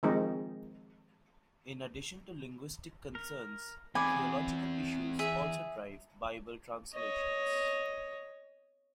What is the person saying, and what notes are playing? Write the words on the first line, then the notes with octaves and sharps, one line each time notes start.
In addition to linguistic concerns, theological issues also drive Bible translations.
D#3 F3 G#3 C4 D#4
A#4
E2 C4 G#4 G#5 B5 D6
G#4 E5
C#5 D#5